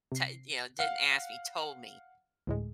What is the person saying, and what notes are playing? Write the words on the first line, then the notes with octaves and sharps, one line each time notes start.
To you know, didn't ask me, told me.
C3 C7
F5 F#5
D2 A2 G#3